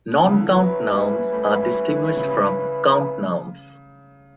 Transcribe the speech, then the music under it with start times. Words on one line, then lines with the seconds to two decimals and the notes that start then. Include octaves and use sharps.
Non-count nouns are distinguished from count nouns.
0.24 C#3
0.33 D3
0.41 E3
0.49 F#3 C#4 E4 B4
0.90 G3
1.32 A3
1.60 G3
1.89 E3
2.16 C#3